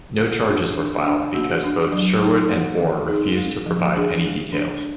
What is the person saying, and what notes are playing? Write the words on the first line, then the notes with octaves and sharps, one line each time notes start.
No charges were filed because both Sherwood and Ore refused to provide any details.
A#3
D4 F4
D4
D4
A#3 F#4
D4
F#3
D#4
A#3
D#3
D#4 G#4
G#3
F3
D4 G#4
G#3
D4